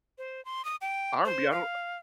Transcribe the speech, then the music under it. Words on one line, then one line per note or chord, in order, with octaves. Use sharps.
RnB, I don't
C5
C6
D#6
G5
C5
F5